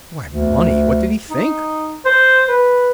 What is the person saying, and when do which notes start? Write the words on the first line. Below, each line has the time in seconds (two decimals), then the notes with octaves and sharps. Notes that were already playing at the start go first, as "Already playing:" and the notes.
Why, money; what did he think?
0.26 D2
1.30 D#4
2.05 C5
2.48 B4